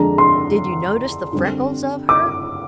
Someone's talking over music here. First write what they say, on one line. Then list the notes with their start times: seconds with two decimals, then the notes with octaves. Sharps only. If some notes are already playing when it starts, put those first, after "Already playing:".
Did you notice the freckles of her?
Already playing: F2 D3 G#3 D4 A#5
0.18 C6
1.33 D3 G3 C4
2.09 D6